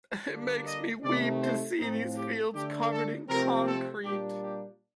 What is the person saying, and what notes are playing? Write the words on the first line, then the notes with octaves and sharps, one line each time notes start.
It makes me weep to see these fields covered in concrete.
D3 G3 A#3 D4
D#5
C3 D#3 A3 D5
C5
A2 F3 C4 D#4
G4
D3 A3 D4 G4
A4
C3 F3 A3 C4 A#4
A4
A#2 G3 A#3 D4 G4
G4